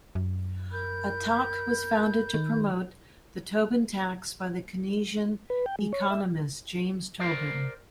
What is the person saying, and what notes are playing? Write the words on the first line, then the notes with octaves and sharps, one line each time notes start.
Attac was founded to promote the Tobin tax by the Keynesian economist James Tobin.
F#2
A#4 B5 G6
D#3
B4
G5
G#3
C#5
E5
A#4 C5 D5